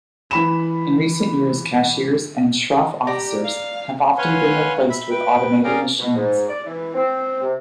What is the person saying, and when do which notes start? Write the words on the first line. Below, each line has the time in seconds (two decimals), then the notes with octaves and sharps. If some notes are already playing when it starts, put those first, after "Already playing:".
In recent years, cashiers and shroff officers have often been replaced with automated machines.
0.31 E3 B5 E7
3.07 G4 D5 A#5
3.43 F5
4.18 B4 C#5 F5 F#5 G#5 C6
4.90 E5 B5
5.10 B4 G5
5.64 C#4 G#4 A#4 D5 F5 G5
5.99 B2
6.16 G#2
6.49 D5
6.66 E3
6.94 C4
7.42 C3